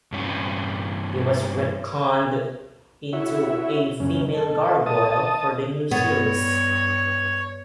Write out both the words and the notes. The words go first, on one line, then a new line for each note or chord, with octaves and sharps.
He was retconned into a female gargoyle for the new series.
G2 C3 C#4
E4 F#4 C#5 E5
F#2 C#3 C#4
A4
D#5 A5 D#6
G2 B3 C#5